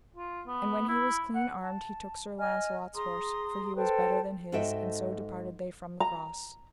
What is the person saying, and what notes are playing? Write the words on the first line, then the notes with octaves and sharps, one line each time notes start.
And when he was clean armed he took Sir Launcelot's horse, for he was better than his; and so departed they from the cross.
F4
B3
E4
F#5
A5
D#5 G#5 F6
G#4 A#5 C6 D#6
A4 B4 C5 G5
G#2 F#4 A4 D#5 E5 G5
A#5